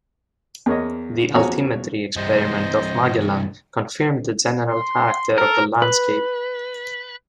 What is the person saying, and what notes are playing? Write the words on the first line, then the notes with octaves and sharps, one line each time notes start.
The altimetry experiment of "Magellan" confirmed the general character of the landscape.
E2 A#4 C#5 D#5
E2 F3 F#4 C#5 G#5 A#5
C2 G2 C5 D#5
C6
A4 A#4
B4